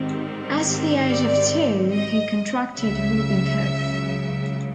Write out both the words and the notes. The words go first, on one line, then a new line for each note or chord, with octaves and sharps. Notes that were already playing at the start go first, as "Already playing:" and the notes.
At the age of two, he contracted whooping cough.
Already playing: G#2 D#3 G3 C4
D5
D#5
C#2 C#3 F#3 E5